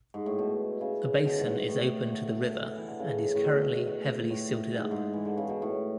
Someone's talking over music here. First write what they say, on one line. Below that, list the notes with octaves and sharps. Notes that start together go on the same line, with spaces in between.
The basin is open to the river and is currently heavily silted up.
G#2
A2
B2
C#3
B2
G#2
A2
A2
D3
E3
D3
C#3
A2
B2
A2
A2
G#2
G#2
E3
D3
C#3
B2
A2